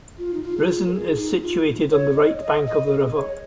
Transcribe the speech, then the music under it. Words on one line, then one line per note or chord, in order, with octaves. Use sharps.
Rissen is situated on the right bank of the river.
F4
D#4
F4
G#4
F4
A#4
G#4
D#4
F4
C#5
C#5
D#5
D#5
D#5
A#4
G#4
C#5